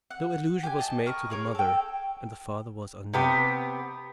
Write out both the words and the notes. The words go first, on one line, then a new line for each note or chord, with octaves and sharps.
No allusion was made to the mother, and the father was unknown.
F#5
G4 G#5
D#5 A5
A#4 C#6 D#6
G#4 A#4 C#5
A4 G5
C3 B3 G4